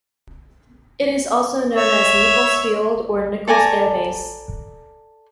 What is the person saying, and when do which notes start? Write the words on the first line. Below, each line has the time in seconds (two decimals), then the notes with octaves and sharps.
It is also known as Nichols Field or Nichols Air Base.
1.75 C#5 E5
3.48 A4 D5 G#5 A#5